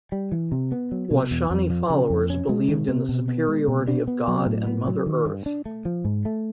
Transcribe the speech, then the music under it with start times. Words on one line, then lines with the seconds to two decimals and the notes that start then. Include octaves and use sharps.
Washani followers believed in the superiority of God and Mother Earth.
0.12 G3
0.32 E3
0.52 C3
0.72 B3
0.92 F#3
1.11 B2
1.31 E2
1.51 F2
1.70 F3
1.90 C#3
2.10 F2
2.30 C#4
2.49 G#3
2.68 D#3
2.89 C3
3.09 B2
3.28 B3
3.48 G#3
3.68 B2
3.87 D4
4.07 B3
4.28 F#3
4.46 A2
4.67 B3
4.87 F#3
5.07 D#3
5.26 G2
5.46 D4
5.66 A3
5.85 F3
6.05 G#2
6.25 A3